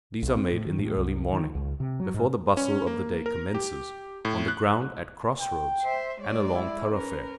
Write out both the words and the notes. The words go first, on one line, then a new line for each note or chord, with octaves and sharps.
These are made in the early morning, before the bustle of the day commences, on the ground at cross-roads, and along thoroughfares.
B1
C4
A2
D#3
A2
C2
D#3
C#2
C3
F#3
G#2
C#4
A#3
A#4
G4
A2
F#6
G5
C5 E5
G#3 C#5 D5
E4
C#4 A#4 B4